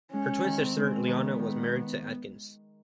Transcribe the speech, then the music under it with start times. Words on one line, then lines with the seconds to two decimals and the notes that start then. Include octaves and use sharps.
Her twin sister Leona was married to Atkins.
0.13 G#3 C#4
0.44 D#3
0.60 C4
0.76 G#3
1.07 D#3 B3
1.39 D#3